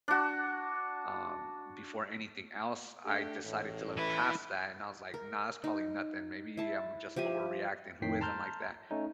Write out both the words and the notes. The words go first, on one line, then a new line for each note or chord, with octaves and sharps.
um, before anything else, I decided to look past that, and I was like, "Nah, it's probably nothing, maybe I'm just overreacting, who isn't like that?"
D4 F#4
A3 D4 G4
A1 A2
E3 E4 B4
A#4
D#4
E4 A5
F3 G4 E5 G#5
F2 A2 D#3 G5 B6 C7
A5 A#5 C6 F6 G6
A3 C#4 D#4